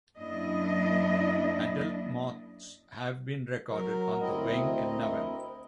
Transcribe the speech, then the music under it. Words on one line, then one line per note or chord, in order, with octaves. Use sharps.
Adult moths have been recorded on the wing in November.
F#2 A#3 D4 E4 D#5
F#3 A#4
D2 C4 E4 A#4 D#5